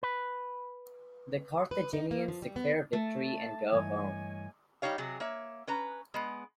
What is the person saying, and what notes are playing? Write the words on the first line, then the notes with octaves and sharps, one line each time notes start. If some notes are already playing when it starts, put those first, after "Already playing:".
The Carthaginians declare victory and go home.
B4
B4
D#4
A#3
F3
G3
B3
A3 A5
G2 E3 C#5 D#5 G#5
G3 D#4 G4 C#5 F5
C3 F#3 G#4
A#3 C#5 E5
C#4 B4 A#5
G#3 B3